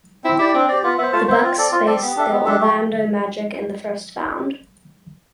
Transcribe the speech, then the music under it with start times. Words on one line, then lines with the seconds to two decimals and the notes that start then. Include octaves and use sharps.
The Bucks faced the Orlando Magic in the First Found.
0.24 C4 E4
0.39 E4 G4 D5
0.54 C4 D4
0.68 C4 G4 D5
0.84 B3 F4
0.98 B3 C5 E5
1.12 A3 F4
1.27 B3 C5 E5
1.42 C4 F4
1.58 C4 A4 D5
1.72 C4 F4
1.86 C4 A4 D5
2.02 B3 G4
2.16 D4 A4 E5
2.31 B3
2.46 D4 A4 E5
2.61 A3